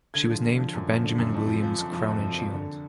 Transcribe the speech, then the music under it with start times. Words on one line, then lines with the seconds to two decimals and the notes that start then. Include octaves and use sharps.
She was named for Benjamin Williams Crowninshield.
0.14 D3 G#6
0.30 F3
0.44 D3
0.59 F3
0.75 F#2
0.89 F3
1.03 D3
1.18 F#2
1.34 F2
1.48 F3
1.63 F3
1.78 F2
1.92 F3
2.08 F2
2.22 F3
2.37 F2
2.53 D3